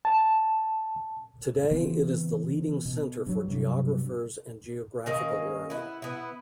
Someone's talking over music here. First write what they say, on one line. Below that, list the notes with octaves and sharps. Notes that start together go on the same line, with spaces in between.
Today, it is the leading centre for geographers and geographical learning.
A5
C#3 E3 B3 C4
B2
G2 F#3
G2 C3 F#3
D#3 A#3 C#4
B3 E4
B3 E4